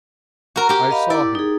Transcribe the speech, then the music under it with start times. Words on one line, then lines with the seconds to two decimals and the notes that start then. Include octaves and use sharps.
I saw him.
0.56 F#4 A#4
0.69 G4 A#4
0.91 D#5 F5 B5
1.10 E4 D5 D6
1.35 D#4 G#4